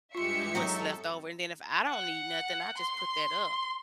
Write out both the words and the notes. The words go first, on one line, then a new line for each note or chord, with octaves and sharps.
what's left over, and then if I don't need nothing, I just put that up,
G2 G#3 F4 G4 E5 C6 C#7
F#3 C4 D#4 A4
F#5
C6